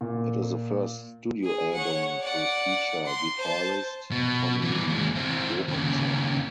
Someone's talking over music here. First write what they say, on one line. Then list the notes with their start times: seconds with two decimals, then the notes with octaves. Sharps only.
It is the first studio album to feature guitarist Tommy Johansson.
0.01 A#2
1.44 G#4
1.74 C#5 F#5
2.21 D5 F#5
3.06 C6
3.38 C5 A5
4.11 B2
4.62 G2 E3
4.87 D#2 G#3
5.15 E3 C4
5.68 D#2 C#3